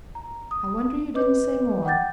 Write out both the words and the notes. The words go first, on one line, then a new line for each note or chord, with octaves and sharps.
"I wonder you didn't say more."
A#5
D#6
B4 D#5 D6 G6
F#5 G5 D6 G6 A6